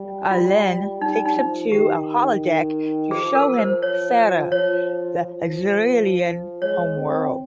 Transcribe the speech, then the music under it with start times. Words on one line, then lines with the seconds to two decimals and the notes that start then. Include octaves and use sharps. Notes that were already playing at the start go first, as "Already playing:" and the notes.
Ah'len takes him to a holodeck to show him Thera, the Xyrillian homeworld.
Already playing: G3
0.31 F4
1.01 G3 D#4
1.25 D#4
1.37 F3
1.72 D#3 G4
3.11 F3 G#4
3.35 A#4
3.58 C5
3.82 C#5
4.52 F3 C#5
5.22 F3
6.62 G#3 C#5
6.97 C4